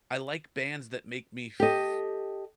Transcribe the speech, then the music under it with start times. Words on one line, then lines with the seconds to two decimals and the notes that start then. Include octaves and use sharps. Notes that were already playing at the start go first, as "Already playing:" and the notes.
I like bands that make me f
1.60 G4 A4 D#5